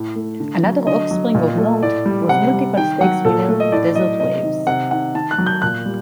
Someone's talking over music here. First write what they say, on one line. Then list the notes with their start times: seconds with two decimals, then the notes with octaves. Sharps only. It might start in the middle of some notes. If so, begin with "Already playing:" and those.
Another offspring of note was multiple stakes-winner Desert Waves.
Already playing: A2
0.16 A3
0.40 D3
0.63 F#3
0.87 D3 D#5
1.11 F#3
1.35 A#2
1.58 A3
1.82 A2 D5
2.06 G3
2.29 C3 F#5
2.54 G3
2.77 D#3 G5
3.01 F#3 F#5
3.25 A#2 A4
3.49 A3
3.60 D#5
3.72 A2 D5
3.95 F#3 D#5
4.20 C3 D#5
4.43 D#3
4.67 C3 F#5
4.91 D#3 F#5
5.15 D#3 A5
5.31 F#6
5.38 F#3
5.46 G6
5.62 A#2 F#6
5.86 G3